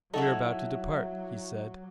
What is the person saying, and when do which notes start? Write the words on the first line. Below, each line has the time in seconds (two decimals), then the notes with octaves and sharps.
"We're about to depart," he said.
0.14 F#3 D#4 E4 F#4 A4 E5